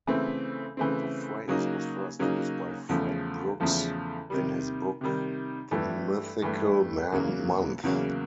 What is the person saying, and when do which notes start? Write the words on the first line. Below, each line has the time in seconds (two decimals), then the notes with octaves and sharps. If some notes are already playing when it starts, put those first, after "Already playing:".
The phrase was first used by Fred Brooks in his book "The Mythical Man-Month".
0.07 C#3 E3 A3 C4
0.77 C#3 E3 A3 C4
1.48 C#3 F#3 A#3 D#4
2.19 C#3 F#3 A#3 D#4
2.89 E2 C#3 F3 A3
3.60 E2 C#3 F3 A3
4.30 C3 D#3 G3
5.01 C3 D#3 G3
5.71 G2 E3 A3
6.42 G2 E3 A3
7.12 E2 C#3 F#3 A#3
7.83 E2 C#3 F#3 A#3